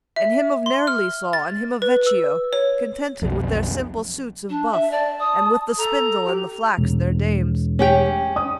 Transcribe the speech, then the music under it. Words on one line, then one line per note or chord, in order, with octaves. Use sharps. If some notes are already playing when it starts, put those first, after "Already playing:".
And him of Nerli saw, and him of Vecchio, Contented with their simple suits of buff And with the spindle and the flax their dames.
E5
C6
F6
A6
B4
E6
C#5
B1 F2
D4
E5
D5 A5
D#6
A4 A#5
G4
E1
C#4 G4 G5
D#6